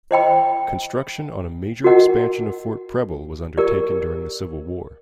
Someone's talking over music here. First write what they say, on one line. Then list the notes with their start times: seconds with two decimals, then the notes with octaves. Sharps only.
Construction on a major expansion of Fort Preble was undertaken during the Civil War.
0.11 C5 D#5 G5 B5
1.84 F#4 A#4 D#5 F#5
3.58 G4 A#4 D5